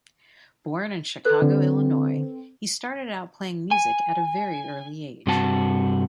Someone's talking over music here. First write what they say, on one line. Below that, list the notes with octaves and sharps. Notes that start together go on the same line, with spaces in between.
Born in Chicago, Illinois, he started out playing music at a very early age.
A4 B4 F#6
D3 C4
G#5
G2 C3 F#4 A5